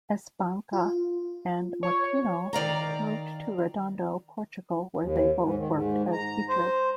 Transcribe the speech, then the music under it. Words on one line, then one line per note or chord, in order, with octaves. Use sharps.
Espanca and Moutinho moved to Redondo, Portugal, where they both worked as teachers.
F4
C#5
D#3 D5 F5 A#5
D#2
G#2
D#3
G#2
A#5
C5